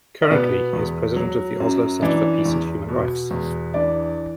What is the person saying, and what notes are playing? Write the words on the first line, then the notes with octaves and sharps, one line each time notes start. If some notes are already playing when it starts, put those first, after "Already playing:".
Currently, he is President of the Oslo Centre for Peace and Human Rights.
D5
B2 B3 B4
E2
F#3
F#2
E3 D4 D5
E2
B2
E2
E3 D4 D5